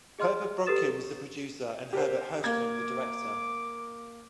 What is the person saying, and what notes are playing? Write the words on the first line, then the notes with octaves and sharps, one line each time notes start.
Herbert Brodkin was the producer and Herbert Hirschman the director.
G#4 D#5 C6 F6
G4 A4 B4 D#6 A6 E7
G4 A#4 C5
A#3 D6 G#6